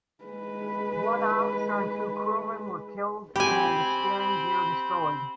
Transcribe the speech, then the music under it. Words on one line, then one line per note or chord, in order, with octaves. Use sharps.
One officer and two crewmen were killed and the steering gear destroyed.
G#3 B4
C4 G4 C5 G#5 B5